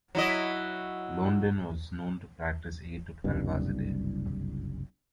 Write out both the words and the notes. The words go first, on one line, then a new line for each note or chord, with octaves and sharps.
Londin was known to practice eight to twelve hours a day.
F#3 E4 D#5
F#1 C2 G2